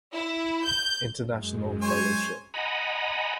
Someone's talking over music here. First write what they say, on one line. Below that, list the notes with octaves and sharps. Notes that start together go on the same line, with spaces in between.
International Fellowship.
E4
G6
F#2 G#3
C5 C#5 G#5
D#5 F#5 G#5 A#5 B5